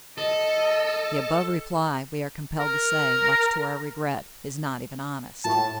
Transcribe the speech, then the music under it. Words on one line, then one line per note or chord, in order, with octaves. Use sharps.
The above reply, we are compelled to say, much to our regret, is not even honest.
A4 D#5
A#4
A2 A5